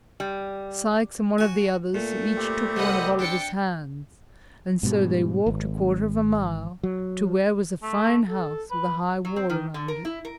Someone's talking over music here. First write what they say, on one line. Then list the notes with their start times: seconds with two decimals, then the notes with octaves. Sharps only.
Sikes and one of the others each took one of Oliver's hands, and so they walked a quarter of a mile to where was a fine house with a high wall around it.
0.20 G3
1.38 F#4 G#5
1.94 A#2 A3
2.37 G3 C4 G4
2.76 C2 C3 D#5 F#5 B5
3.19 D4 G5 A6 C#7
4.83 G#2 B2 G3
5.46 G#1
6.83 F#3
7.83 A3
8.29 A4
8.71 B4
9.25 F#3
9.36 C4
9.50 D#3
9.74 D3
9.88 A#4
10.05 E4
10.25 A#4